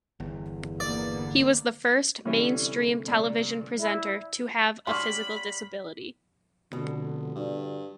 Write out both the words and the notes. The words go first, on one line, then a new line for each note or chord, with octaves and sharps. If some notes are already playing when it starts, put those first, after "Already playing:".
He was the first mainstream television presenter to have a physical disability.
G1 E2
D3 A#3 B3 D5
C2 D3 E3 G3 C#4
A#2
E4
G3 C#4 F#4 B5 C6 D6 F6
F1 B2 D3
G2 D3 F#4 D5